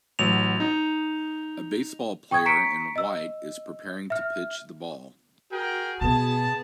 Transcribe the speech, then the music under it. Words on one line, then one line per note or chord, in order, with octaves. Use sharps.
A baseball player in white is preparing to pitch the ball.
A1 F#3 F7
D#4
G5 C#6 D#6 G#6
A#5 C#6 B6 C#7 D7
D#5 E6
E5 F6
F#4 G#4 A#4 G5
B2 B3 G#4 A5